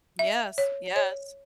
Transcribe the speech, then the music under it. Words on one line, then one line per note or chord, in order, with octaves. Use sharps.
Yes, yes.
E5
C#5
C#5